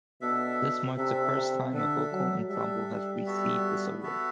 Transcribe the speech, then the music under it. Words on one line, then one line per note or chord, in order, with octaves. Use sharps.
This marks the first time a vocal ensemble has received this award.
B2 D4 A4 E5
C3 D4 A4 E5
C3
D3 D4 A4 E5
F#3
G3 D4 A4 E5
B3 F#4 A4 E5
B3 F#4 A4 E5